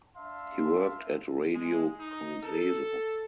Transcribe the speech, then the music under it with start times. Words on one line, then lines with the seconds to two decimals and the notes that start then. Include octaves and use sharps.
He worked at Radio Congreso.
0.17 D4 E5 F5 A5 C6
1.52 G#3
1.97 D#4
2.42 A4